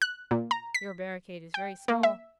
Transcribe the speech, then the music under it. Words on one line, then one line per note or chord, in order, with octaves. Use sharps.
Your barricade is very small.
F#6
A#2
A#5
B6
G5
A#3
E5